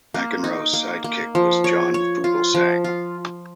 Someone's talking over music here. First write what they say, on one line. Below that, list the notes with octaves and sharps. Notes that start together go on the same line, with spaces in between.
McEnroe's sidekick was John Fugelsang.
A#3
D#4
A#3
A#3
F3
C#5
C#5
F4
F3
F4